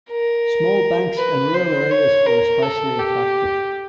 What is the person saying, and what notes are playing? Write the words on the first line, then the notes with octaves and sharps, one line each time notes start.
Small banks in rural areas were especially affected.
A#4
B4
C5
C#5
A#4
A4
G4